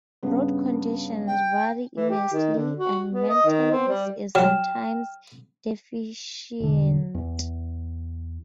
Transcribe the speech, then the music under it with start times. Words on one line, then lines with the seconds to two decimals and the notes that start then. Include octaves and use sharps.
Road conditions vary immensely, and maintenance is sometimes deficient.
0.23 G2 C#3 B3
1.27 G5
1.97 E3
2.10 G4
2.33 D#3
2.55 D3
2.77 F#4
3.13 B3
3.29 D#5
3.45 D#3
3.71 C4
3.88 G3
4.35 F#3 G5 F6 E7
6.60 E1 D3
7.15 E2